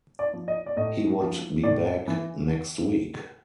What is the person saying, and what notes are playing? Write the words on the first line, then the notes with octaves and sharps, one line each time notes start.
He would be back next week.
D5
F3
D#5
D5
A2 D#5
F3
A2 D5
E3